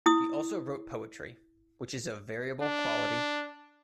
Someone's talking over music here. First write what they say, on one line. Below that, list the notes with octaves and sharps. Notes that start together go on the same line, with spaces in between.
He also wrote poetry, which is of variable quality.
E4 D#6
D4